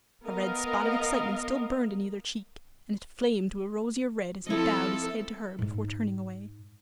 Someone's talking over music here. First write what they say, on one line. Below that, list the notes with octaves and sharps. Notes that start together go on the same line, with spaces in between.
A red spot of excitement still burned in either cheek, and it flamed to a rosier red as he bowed his head to her before turning away.
B3 A#4 D#5 F5
F3 C4 E4 A4 D#5
G#2 D#4